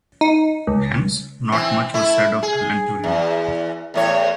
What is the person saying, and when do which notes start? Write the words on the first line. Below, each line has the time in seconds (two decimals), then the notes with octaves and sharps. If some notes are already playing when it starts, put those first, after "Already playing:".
Hence, not much was said of Alan Turing.
0.21 D#4
0.67 C#2
1.52 E3 C4
1.94 A3 E4
2.43 G#4
3.04 E2
3.94 E2 A2 C#5